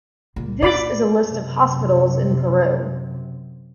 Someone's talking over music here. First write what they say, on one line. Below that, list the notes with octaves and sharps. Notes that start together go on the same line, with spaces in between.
This is a list of hospitals in Peru.
C#2 A#2
A#2 D5 B5 D6
F#2 C3